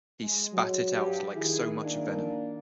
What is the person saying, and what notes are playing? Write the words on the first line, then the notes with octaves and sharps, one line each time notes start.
He spat it out like so much venom.
G#3
F#3
G2 G4
D#3 E4 G#4
A#2 A#3 D4